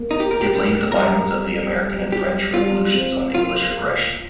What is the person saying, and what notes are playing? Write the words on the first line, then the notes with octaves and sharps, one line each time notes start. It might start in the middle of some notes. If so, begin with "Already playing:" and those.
It blamed the violence of the American and French revolutions on English aggression.
Already playing: A#3
D#4
G4
A#4
G4
G3 A#4
G4
G3 F4
C4
A#3 F4